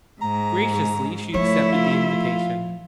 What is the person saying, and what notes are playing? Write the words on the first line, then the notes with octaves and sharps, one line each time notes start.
Graciously she accepted the invitation.
G#2 A#5
F3 A3 E4 C#5
F4